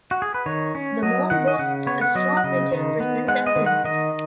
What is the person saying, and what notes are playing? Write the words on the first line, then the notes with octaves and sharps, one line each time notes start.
The mall boasts a strong retail presence and density.
F#4
G#4
B4
D#3 C#5
C#4
F#3 D#5
D#3 F#5
D#5
C#3 F#5
B3 C#5
F#5
F#3 D#5
F#5
C#3 D#5
D#3
B3
G#3 F#5
D#5
D#3
F#5
D#3 D#5